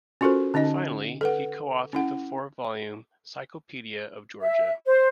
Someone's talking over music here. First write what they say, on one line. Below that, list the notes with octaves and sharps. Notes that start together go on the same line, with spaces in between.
Finally, he co-authored the four-volume "Cyclopedia of Georgia".
C#4 F4 F#4 A4 A#4 C5
D3 C#4 D#4 D#5 A5
A4 B4 F#5
C#4 E4 F#5
E5
C5